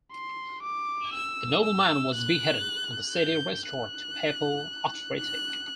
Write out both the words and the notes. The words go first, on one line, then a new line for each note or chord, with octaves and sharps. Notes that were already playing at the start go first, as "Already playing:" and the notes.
The nobleman was beheaded and the city restored to Papal authority.
C6
D6
E6
E6
F#6
G6
F#6
F#6